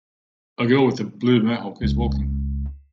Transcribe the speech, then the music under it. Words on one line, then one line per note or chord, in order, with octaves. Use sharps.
A girl with a blue Mohawk is walking.
C#2